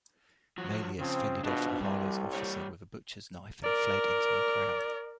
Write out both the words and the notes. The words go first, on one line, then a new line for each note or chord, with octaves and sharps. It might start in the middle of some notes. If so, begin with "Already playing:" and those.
Maelius fended off Ahala's officer with a butcher's knife and fled into a crowd.
F3 F#3 F#4
C#3 F3 C4
G#1 B2 D4 F4
C2 G3 F#4
G3 G4 C#5
A#4 D5